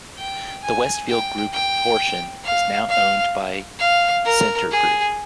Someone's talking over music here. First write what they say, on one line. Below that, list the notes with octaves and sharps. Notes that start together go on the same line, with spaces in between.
The Westfield Group portion is now owned by Scentre Group.
G5
G#5
G5
G5
F5
F5
F5
A#4
G#4